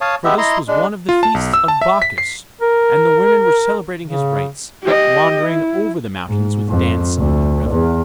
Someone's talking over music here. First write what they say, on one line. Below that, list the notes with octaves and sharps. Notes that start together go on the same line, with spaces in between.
For this was one of the feasts of Bacchus, and the women were celebrating his rites, wandering over the mountains with dance and revel.
C#5 F5 A5 D#6
G#3 B3 G4 E5
E4 D#5 A#5 C6
G#3 D4
F4
A5
B1
E6
A5
E5
B6
C7
A#4
C#3
G4 D#5
E4
G#2
F2
D2
E2